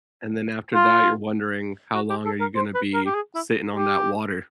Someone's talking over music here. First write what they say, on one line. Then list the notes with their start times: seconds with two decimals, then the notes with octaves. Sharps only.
And then after that, you're wondering how long are you gonna be sitting on that water.
0.74 F4
1.94 F#4
2.09 G4
2.25 A4
2.40 A#4
2.55 C5
2.74 B4
2.94 A#4
3.06 G4
3.14 G#4
3.35 E4
3.75 G4